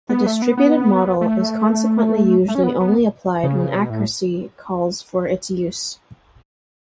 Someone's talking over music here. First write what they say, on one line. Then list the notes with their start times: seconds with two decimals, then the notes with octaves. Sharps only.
The distributed model is consequently usually only applied when accuracy calls for its use.
0.09 B3
0.26 A3
0.42 B3
0.57 B3
1.21 A3
2.48 A3
2.55 C#4
2.64 B3
2.80 B3
3.43 C#3
3.74 B2
3.90 A2